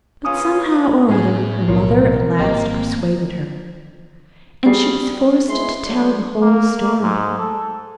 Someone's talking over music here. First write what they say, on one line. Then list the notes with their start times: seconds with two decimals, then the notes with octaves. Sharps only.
But somehow or other her mother at last persuaded her, and she was forced to tell the whole story.
0.25 C#3 A#3 C#4 F4 B4 D#6
1.09 A2 C#4 G#4
1.68 B1 E4 F4 A#4 C#5
2.39 G#1 A#3 C4 G4 D#5
4.66 G3 F#4 G#4 C7
5.48 G#3 B3 E4 C6
5.86 F#3 D4 A4 C5 C#5
6.41 A#3
7.01 G#2
7.39 A4